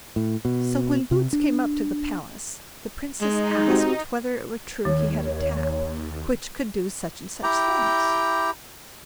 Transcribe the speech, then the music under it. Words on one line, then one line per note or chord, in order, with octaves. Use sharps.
So when Boots came up to the palace, the Princess asked whether it were true he had a tap which could do such and such things?
A2
B2
C3
D4
G#3 D#4
C4 F#4 G4
D#2 D#3 C#5
E4 G4 G5 A#5